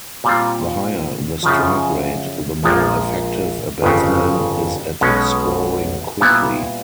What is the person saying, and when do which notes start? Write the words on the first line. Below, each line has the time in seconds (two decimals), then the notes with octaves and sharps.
The higher the strike rate, the more effective a batsman is at scoring quickly.
0.24 A#2 G3 C4 F4
1.43 F#2 C#3 F3
2.63 A#1 A#2 F3 G#3
3.82 G1 F2 C#3
5.01 B1 B2 G#3 C#4
6.20 A#2 G3 B3 E4